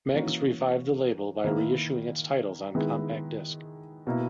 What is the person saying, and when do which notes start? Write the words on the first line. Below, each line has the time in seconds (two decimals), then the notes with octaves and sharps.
Meggs revived the label by reissuing its titles on Compact Disc.
0.14 E3 A#3 C#4 F#4
1.44 D#3 A#3 E4 B4
2.75 D#3 G#3 B3 E4
4.07 B2 A#3 E4